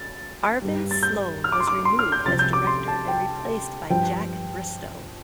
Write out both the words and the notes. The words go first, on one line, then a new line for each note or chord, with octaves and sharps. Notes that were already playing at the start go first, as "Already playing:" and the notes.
Arvin Sloane was removed as director and replaced by Jack Bristow.
Already playing: A6
G2 G3
A6
G6
F6
D6
C6
D6
C6
F6
G6
C2 C3 F3 A6
G6
D6
C6
A5
G5
G2 F3 G5